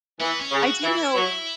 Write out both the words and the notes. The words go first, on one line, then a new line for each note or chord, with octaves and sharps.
I do know
E3 B3
C#4
C#3
F#4
E3 E4
F#3